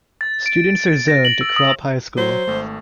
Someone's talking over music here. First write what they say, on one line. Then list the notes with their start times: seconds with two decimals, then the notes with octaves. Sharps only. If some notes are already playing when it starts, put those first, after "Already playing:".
Students are zoned to Krop High School.
0.21 A6
0.46 D7
1.08 A#6
1.25 F#7
1.41 E6
1.56 D#6
2.17 F#3 C5
2.47 G#1 A3